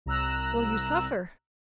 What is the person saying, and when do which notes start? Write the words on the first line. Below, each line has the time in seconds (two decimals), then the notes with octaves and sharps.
"Will you suffer?"
0.06 C2 A#5 E6 F#6